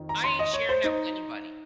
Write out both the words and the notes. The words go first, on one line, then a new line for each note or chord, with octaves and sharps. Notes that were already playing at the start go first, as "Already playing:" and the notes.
I ain't sharing that with anybody.
Already playing: F2 D#3
A#5
C6
D#5
C#5
C5
D#4